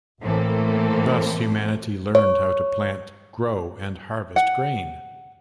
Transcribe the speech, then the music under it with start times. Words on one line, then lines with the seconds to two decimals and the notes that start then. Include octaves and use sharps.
Thus, humanity learned how to plant, grow and harvest grain.
0.21 A1 A2 E3 A#3 C4 A4
2.15 C#5
4.36 F#5